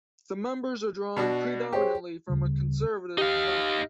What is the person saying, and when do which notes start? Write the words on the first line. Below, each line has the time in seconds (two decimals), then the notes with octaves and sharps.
The members are drawn predominantly from a Conservative background.
1.16 B2 D4 F#4
1.73 G4 G#4 C5 C#5
2.28 D2 C#3 G3
3.18 D#4 G4 F5